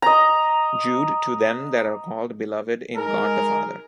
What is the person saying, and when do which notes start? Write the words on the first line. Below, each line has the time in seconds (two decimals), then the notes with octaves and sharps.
Jude, to them that are called beloved in God the Father.
0.02 D#5 A#5
2.96 G#3 D#4 G#4 A#4